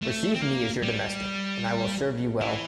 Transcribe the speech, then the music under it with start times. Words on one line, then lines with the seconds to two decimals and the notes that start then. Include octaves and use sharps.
Receive me as your domestic, and I will serve you well.
0.02 A3
0.34 C4
0.42 A#3
0.83 G3
2.41 E3